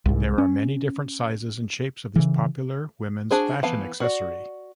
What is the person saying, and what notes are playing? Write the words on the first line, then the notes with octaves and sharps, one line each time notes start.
There are many different sizes and shapes of this popular woman's fashion accessory.
C2 G#2
C#4
C#3 E3
D4 F#4 G#4 C5
E3 B3 F5 A5
F#4 D5